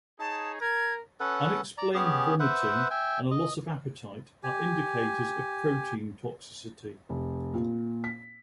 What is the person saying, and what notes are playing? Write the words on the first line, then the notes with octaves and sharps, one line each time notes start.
Unexplained vomiting and a loss of appetite are indicators of protein toxicity.
D#4 G#4 C#5 A5
A#4 G#6
C#4 A4 B4 F#5
D5 A#5
B3 C#4 G4 G#4
B4 C5 E5 F#5
E5 G5 G#5
D#5
G4 G#5
F1
A#2
B6